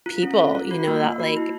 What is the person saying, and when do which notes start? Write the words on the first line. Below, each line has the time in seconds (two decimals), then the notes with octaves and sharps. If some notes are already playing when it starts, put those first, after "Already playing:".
people, you know, that, like,
0.06 F4
0.23 C#4
0.39 A4
0.55 F4
0.71 F#4
0.88 A#3
1.04 A#3
1.20 F#4
1.36 E4